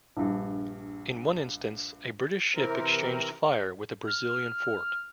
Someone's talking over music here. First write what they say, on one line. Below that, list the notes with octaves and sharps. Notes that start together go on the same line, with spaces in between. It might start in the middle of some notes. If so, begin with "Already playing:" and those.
In one instance, a British ship exchanged fire with a Brazilian fort.
A#1 G2
C3 E3 C4 A#4
F6